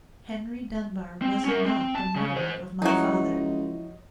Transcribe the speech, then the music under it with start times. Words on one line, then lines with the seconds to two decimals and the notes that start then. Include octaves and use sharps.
Henry Dunbar was not the murderer of my father.
1.22 C4
1.45 C#4 A#4
1.66 C4
1.95 A5
2.16 C#3
2.36 G#4 C5
2.82 C#2 F3 F#3 D#4 E4